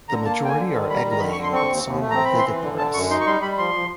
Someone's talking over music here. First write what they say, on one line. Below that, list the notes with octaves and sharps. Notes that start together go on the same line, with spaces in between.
The majority are egg-laying, but some are viviparous.
D3 A#5
A#3 A5
D3 G5
G#5
D3
D#3
G3 B5
A#5
D#3
A#5
D3 B5
C#6
D3
C6
C4 C#6
D#2
D#2
A3
C4 A#5
B5
E3
C6
E3
D3
D3 A5
F#2 C#6
D#4 C6
C#6
G3 C6
G3 B5
F3 C6
F3